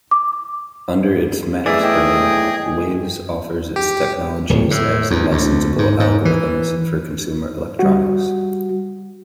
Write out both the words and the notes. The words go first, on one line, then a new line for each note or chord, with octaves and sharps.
Under its Maxx brand, Waves offers its technologies as licensable algorithms for consumer electronics.
D6
B1 A2 E3 G#4 D5 E5
D#5 G5
G4
D1
A2
E2
D2
G#2
G#2
E3
G3 F#4